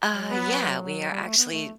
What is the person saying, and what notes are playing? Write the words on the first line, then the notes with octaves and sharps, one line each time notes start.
Uh, yeah, we are actually
F#3
B3
G3
A3
B3
A3